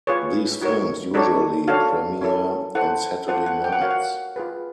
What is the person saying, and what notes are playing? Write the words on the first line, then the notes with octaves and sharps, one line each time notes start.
These films usually premiere on Saturday nights.
F4 G#4 B4 C#5
D#4 F#4 A#4 C#5
D#4 F#4 A4 C#5 D5
D4 F#4 A4 C#5 F5
C#4 E4 A4
E4 A4 C5 F#5
F4 A4 C5 F#5
F#5
G5
F#5
F#4 A#4 C#5 F5
F#5
F4 G#4 B4